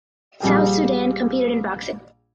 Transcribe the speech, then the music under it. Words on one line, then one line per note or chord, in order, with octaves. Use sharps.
South Sudan competed in boxing.
A#1 G3 G#4 G5